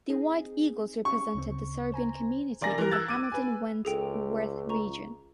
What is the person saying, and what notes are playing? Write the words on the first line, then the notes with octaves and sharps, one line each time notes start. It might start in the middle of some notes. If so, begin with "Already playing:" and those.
The White Eagles represented the Serbian community in the Hamilton–Wentworth region.
C4 D#4 G#4
C#4 C#6
D2 C#3 C4
C5 G#5 A#5
E1 D5 G#5 A#6
E3 G3 A#4
E6 F#6 G#6 A6
D6 D#7
B4 G#5
C#2 G#4 A4 G5
A#5 C#6